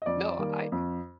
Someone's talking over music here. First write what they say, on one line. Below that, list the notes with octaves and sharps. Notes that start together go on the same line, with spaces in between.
No, I
D#5
F2 D5
D#3 G3 A#3
F2